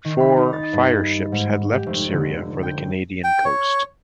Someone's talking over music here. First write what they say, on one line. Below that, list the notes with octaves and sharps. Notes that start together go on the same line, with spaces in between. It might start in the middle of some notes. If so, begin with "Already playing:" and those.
Four fire-ships had left Syria for the Candian coast.
D#3
B5
D#4
A6
G2
G#2
G4
F1
D3
G5
G5
C#5